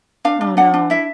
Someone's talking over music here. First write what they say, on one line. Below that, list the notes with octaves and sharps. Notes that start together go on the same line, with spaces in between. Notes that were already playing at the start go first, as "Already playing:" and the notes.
Oh, no.
D4 F5
D4
D4 F#5
D4
E4 E5